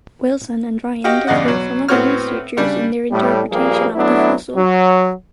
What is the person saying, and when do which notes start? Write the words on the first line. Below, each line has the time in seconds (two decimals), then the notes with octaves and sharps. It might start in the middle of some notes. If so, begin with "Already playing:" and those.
Wilson and Ryan differ from other researchers in their interpretation of the fossil.
1.04 F#4 G4 D#5 F5
1.27 E2 G2 C#3 D5 D#5 F#5
1.45 B2 F#3
1.88 A2 B3 C4 F#4 C#5 F6
2.57 C#3 G3 D4
3.11 A2 G3
3.51 A#1 G2 F3 G3 A#3 G#4
3.95 F#3 A3 B3 D4 E4
4.55 F#3